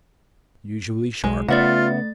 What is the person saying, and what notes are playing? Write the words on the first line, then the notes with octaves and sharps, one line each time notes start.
Usually sharp.
B1 G#3
C#3 A3 B3 F4 D5 E5 F#5 A6